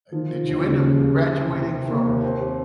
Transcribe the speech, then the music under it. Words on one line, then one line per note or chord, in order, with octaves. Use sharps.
uh, did you end up graduating from
D#3 F3
F3
D#2
D#2 C#3
D#2
D#2
C4
C3
C3
D#3
A#3
D#2
C4
G4